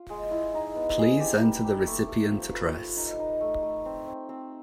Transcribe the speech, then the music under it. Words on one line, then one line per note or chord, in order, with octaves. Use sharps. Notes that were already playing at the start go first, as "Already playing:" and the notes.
Please enter the recipient address.
Already playing: F4
G#3
E4
D#4
B3
G#4
G4
G3
G4
A3
A3
F3
B4
B4
D#4
D#4
A3
A3
C4
C4
C4